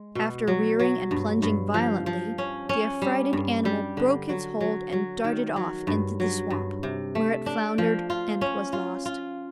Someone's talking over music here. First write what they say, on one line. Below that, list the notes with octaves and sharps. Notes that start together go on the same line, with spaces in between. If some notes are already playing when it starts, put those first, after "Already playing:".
After rearing and plunging violently, the affrighted animal broke its hold and darted off into the swamp, where it floundered and was lost.
Already playing: G#3
B2
F#3
F#3
G2
G2
F3
F3
C#4
C#4
G3
G2
G3
D3
F#3
F#3
F#3
D#3
F#3
G2
F#3
G2
C3
A3
D4
F3
F4
C#4
F4
F4